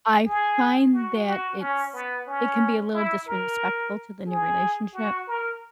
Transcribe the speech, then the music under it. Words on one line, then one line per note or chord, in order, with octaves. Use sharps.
I find that it's it can be a little disrespectful to the new relationship.
G#4
F#4
F#4
C#4
B3
C#4
E4
A#4
G#4
F#4
A#4